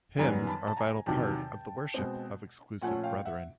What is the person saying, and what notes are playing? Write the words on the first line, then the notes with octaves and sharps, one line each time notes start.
Hymns are a vital part of the worship of Exclusive Brethren.
F#2 D#3 G3 B3 G#5 A#5
A5 B5
A5
G#5 A#5
E2 C3 D#3 F#3 G5 A5
B2 G#3 C4
A#2 F3 A3 C#4 F#5 G#5
F5 G5
E5 F#5